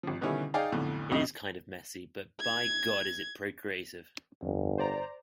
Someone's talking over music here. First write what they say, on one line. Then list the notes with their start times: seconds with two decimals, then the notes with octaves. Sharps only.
It is kind of messy, but by God it is procreative!
0.03 G#1 F3
0.21 B2 D3 D#3 G3 C#4 E4
0.54 D#4 G#4 D5 F5 G5
0.72 B1 F2 A2 D3
1.11 C2 F2 A2 D#4 D#5
2.41 G#6
4.42 G1 F2
4.78 C5 D5 A#5